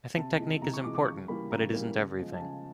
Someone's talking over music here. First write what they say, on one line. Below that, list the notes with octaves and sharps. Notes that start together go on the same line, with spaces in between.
I think technique is important but it isn't everything.
C3 A5
E3 G#3
C3 A#5
C#6
E3 G#3 D6
D6
C#3 C#6
E3 G3 A#3 B5
C#3 A#5
E3 G3 A#3
C#3
F3 G#3
A5
C#3 G#5